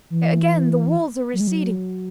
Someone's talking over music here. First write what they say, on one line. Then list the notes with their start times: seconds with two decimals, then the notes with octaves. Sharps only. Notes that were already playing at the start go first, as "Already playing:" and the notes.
Again the walls are receding....
0.10 E3
1.33 F#3
1.40 G#3
1.47 F#3